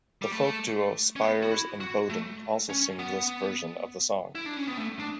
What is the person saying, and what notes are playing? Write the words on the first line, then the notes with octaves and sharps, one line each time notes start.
The folk duo Spiers and Boden also sing this version of the song.
G3
A3
C#4
B3
F#4
E4
F#4
A3
C#4
B3
E4
D4
C#4
B3
A3
D4